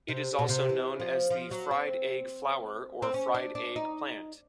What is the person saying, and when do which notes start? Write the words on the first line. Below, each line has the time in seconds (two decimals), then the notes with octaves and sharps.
It is also known as the "fried egg flower" or "fried egg plant".
0.08 C3
0.39 B2
0.49 C3
0.69 E3
1.00 F3
1.30 F3
1.51 F#3
1.71 C4
3.02 C4
3.14 C#4
3.34 D4
3.55 D4
3.76 D#4